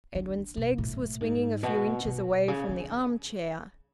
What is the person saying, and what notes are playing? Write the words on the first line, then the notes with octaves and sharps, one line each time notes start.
Edwin's legs were swinging a few inches away from the arm-chair.
D3
B2
A2
G#2
B2
B2
C#3
D3